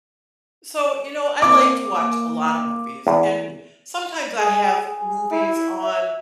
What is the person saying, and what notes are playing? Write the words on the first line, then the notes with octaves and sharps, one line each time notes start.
So, you know, I like to watch a lot of movies, and sometimes I have movies on
A#3 C4 D6
A#3
E2
G#4
G#4
E4
E5